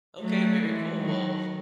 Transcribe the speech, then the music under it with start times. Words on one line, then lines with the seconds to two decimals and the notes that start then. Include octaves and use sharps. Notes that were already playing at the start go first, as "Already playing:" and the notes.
Okay, very cool. Well,
0.20 F#3 A3
0.60 E3 G#3
0.99 D#3 F#3